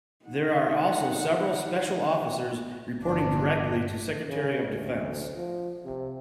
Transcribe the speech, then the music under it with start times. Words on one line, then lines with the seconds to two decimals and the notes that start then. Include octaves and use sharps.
There are also several special officers reporting directly to Secretary of Defense.
0.25 D#4 F#5
3.02 G1 D4
4.29 C#3
4.71 D2
5.36 F3
5.85 C3